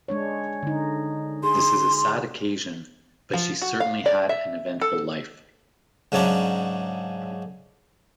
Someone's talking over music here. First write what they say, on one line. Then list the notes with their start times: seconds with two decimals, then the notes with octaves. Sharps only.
This is a sad occasion, but she certainly had an eventful life.
0.08 G#3 D4 C#5
0.63 D3 D#4
1.43 G#4 C6
3.34 F3
3.62 F#4
3.80 F5
4.06 D5
4.29 E5
4.81 A4
6.12 G#2 C#3 F#3 C#4 D4 A#5